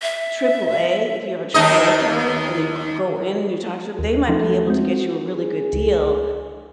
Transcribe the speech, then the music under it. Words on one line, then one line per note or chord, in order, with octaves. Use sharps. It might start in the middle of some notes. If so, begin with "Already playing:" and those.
AAA, if you have a AAA card and you g go in and you talk to 'em, they might be able to get you a really good deal
E5
D#2 D#4 D#5
D#2
F3 A3 D#4
G#3 C4 F#4
G#4
C#2